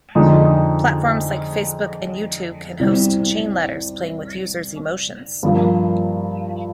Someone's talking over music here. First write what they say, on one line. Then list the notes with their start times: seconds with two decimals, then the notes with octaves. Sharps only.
Platforms like Facebook and YouTube can host chain letters playing with users' emotions.
0.15 F2 D3 G#3 D#4
2.79 C2 C3 G3 C4
5.43 G2 F3 A#3